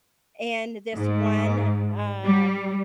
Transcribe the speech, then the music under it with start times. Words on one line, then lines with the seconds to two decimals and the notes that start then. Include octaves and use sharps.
in this one, uh,
0.95 G#2
2.24 G3